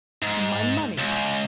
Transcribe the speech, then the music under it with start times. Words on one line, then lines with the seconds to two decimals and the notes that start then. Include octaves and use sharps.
And my money!
0.22 G#2
0.99 C#2